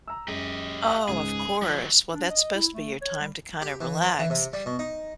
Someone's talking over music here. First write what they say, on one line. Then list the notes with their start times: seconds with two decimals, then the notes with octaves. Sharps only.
Oh, of course, well that's supposed to be your time to kinda relax,
0.08 A#5 E6
0.28 F#2 G#3 G4 D#5
0.90 F5 F#6
1.08 C#2 G#2 G#4
1.62 G#2 F3 F#3
2.13 D4
2.30 D#5
2.55 E4
2.74 A3
3.02 C#5
3.20 G3
3.62 G4
3.81 E3
4.02 C5
4.19 E3
4.30 C3
4.53 G3
4.66 B2
4.79 D#4